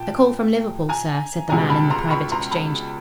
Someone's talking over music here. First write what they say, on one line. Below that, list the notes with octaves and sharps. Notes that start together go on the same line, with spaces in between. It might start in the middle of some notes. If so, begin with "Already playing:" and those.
"A call from Liverpool, sir," said the man in the private exchange.
Already playing: A#2 G5 A5
G#5 A#5
C#2 B2 G3 G#5 A#5
A5 B5
A#5 C6
B5 C#6
A#5 C6
A5 B5